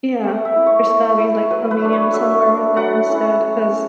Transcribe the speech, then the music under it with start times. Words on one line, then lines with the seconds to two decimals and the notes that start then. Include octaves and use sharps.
Yeah, there's gotta be like a medium somewhere in there instead 'cause
0.24 A3 F#5
0.45 E5
0.55 E4
0.66 C#5
0.87 A3
1.19 E4
1.50 F#3 B4
1.71 B4
1.82 A3 D4
1.93 C#5
2.14 F#3 E5
2.46 A3 D4
2.77 F#3 F#5
3.08 C#4 E4
3.40 F#3
3.72 C#4